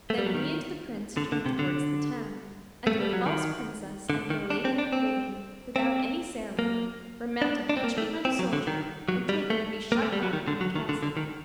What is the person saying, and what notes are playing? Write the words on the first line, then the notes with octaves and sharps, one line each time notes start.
Then he and the Prince turned towards the town, and the false Princess and the Lady in Waiting, without any ceremony, were mounted each behind a soldier and taken to be shut up in a castle.
A3
G3
F#3
D#3
D3
D3
C3
D3
A3
G3
F#3
D#3
D3
D#3
D4
C4
D4
C4
C4
A#3
D4
D4
C4
A#3
A3
C4
F#3
D3
D#3
F#3
G3
A3
A#3
A3
G3
F#3
D#3
D3
F#3
D#3
D3
D3
D#3